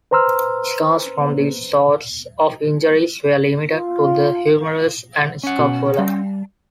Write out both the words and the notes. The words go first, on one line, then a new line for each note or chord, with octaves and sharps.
Scars from these sorts of injuries were limited to the humerus and scapula.
B4 C5 A#5 C6 E6 F6
F4
C#4 F#5
B2
G3